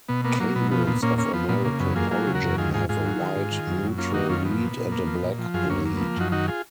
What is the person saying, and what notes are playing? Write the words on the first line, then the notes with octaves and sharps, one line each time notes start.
Cables of American origin have a white neutral lead and a black lead.
B2 B3
A#3 B3
F#3 A#3
B2 B3
F3 B3
A#2 B3
A#2 A#3 C#4
A#3 C#4
F3 B3
A#2 B3
C#3 A#3
F#2 B3
A#3 F4 G#4
F#3 F4 G#4
C#3
F#4 A#4
F#2
D#3 F4 G#4
G#2 F4 G#4
G#2 F4 G#4
F#3
D#3
G#2
D#3
F#2
F#2
A#3 C#4 F4
D#3 D#4 F#4
F#2 C#4 F4
F3 B3
A#2
A#2
A#3
F3
A#2
F3
F#2 F4 G#4
F#2 A#3 C#4
A#3
F3 B3
F#2 D#4 F#4
D#3 D#4 F#4
F4 G#4